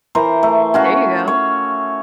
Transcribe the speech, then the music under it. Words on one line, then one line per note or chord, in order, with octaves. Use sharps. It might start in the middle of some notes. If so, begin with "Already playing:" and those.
There you go.
E3 A#4 C5 A#5
A3
C#4 F#4 F5
C#5